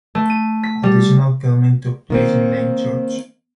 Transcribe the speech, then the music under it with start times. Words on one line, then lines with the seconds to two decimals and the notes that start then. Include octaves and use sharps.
Additional filming took place in Lake George.
0.15 A3
0.30 D#7
0.63 B6
0.83 G3
2.10 D#3 A#3 C4